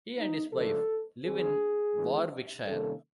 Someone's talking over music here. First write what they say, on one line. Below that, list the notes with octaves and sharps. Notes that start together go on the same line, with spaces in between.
He and his wife live in Warwickshire.
D#4
C#3 F3 A3 D4 A4
D#3 G3 C4 G#4
E3 G#3 B3 D4
C3 D#3 G3 A#3 C#4 A4